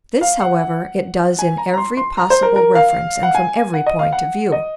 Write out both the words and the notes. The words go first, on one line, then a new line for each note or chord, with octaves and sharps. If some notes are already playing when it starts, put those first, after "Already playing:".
This, however, it does in every possible reference and from every point of view.
F5
F#5
G#5
A#5
A#5
C6
C6
A#5
C5
A#4
A#4
F5
F#5
G#5
F#5
D#5
F5
F#5
D#5